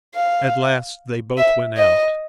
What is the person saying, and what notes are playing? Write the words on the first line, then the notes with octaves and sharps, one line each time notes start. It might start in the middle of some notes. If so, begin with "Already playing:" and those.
At last they both went out.
F5
E5
D#5